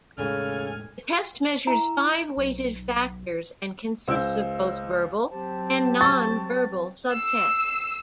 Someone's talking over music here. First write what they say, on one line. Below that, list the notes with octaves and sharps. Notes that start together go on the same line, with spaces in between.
The test measures five weighted factors and consists of both verbal and nonverbal subtests.
E1 A2 C#3 G#3 A4 G#5 F6
E4 A#5
B1
C#2 C5 E6
F#3 C4 G4 C5 A5
C#6 A6
E6 C7